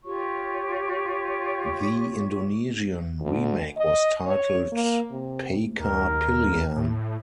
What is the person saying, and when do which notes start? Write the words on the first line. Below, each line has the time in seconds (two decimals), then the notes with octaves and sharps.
The Indonesian remake was titled "Pacar Pilihan".
0.05 F4 G4 C#5 C#6
3.21 D2
3.77 D#5
4.26 C#5
4.72 A#3
5.11 C3
5.80 D#2 A#4
6.76 A2